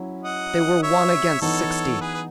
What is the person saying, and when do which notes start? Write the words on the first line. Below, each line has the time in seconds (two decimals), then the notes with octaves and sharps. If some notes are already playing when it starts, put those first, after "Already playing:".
They were one against sixty.
Already playing: F#3 C#4 E4
0.23 D#5 F#5
0.82 C#5 E5
1.41 E3 B3 D#4 A4 C#5
2.01 G#4 B4
2.14 B4